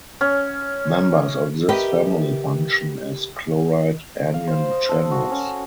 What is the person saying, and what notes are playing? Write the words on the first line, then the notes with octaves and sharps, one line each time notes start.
Members of this family function as chloride anion channels.
C#4
G4 A#4 B4 D#5 E5 G5
F5
C5
D#5
A4
F#4
C#4